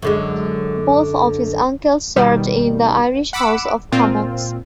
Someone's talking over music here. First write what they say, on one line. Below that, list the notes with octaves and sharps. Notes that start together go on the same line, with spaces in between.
Both of his uncles served in the Irish House of Commons.
F#2 D3 G#3
B2 D#3 G3
F#5 B5 D6 E6
A#2 C4 F4